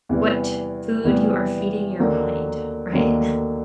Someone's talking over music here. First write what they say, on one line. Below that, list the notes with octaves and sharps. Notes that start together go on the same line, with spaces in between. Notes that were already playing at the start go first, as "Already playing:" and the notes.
what food you are feeding your mind. Right?
E2 C3 E3 G3 B3
E2 C3 E3 G3 B3
D#2 D3 F#3 A#3
D#2 D3 F#3 A#3